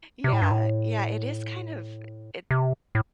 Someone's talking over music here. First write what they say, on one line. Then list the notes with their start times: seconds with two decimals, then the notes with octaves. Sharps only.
Yeah, yeah, it is kind of it
0.24 C3
0.33 A2
0.42 G2
0.51 A2
2.51 C3
2.95 A2